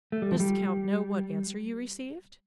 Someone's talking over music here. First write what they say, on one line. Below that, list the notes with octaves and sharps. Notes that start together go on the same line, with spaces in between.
"Does the count know what answer you received?"
A3
G3
F3
G3